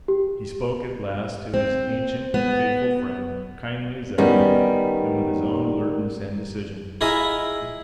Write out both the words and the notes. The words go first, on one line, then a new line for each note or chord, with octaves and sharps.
He spoke at last to his ancient and faithful friend, kindly as ever, and with his own alertness and decision.
G4
C4
B3
D#3 G3 B3 C#4
E4 F4 G#4 D#5 E5 A#5